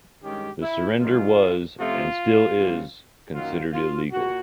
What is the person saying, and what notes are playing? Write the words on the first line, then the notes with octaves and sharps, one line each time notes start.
This surrender was, and still is, considered illegal.
G2 D#3 G#3 C#4 G4
E4
F#2 D#3 G#3 F4
C3 F3 A3 C#4 F4
C#3 E3 G3 C4
F#2 D#3 F#3 A#3 F4
F4
A#2 F#4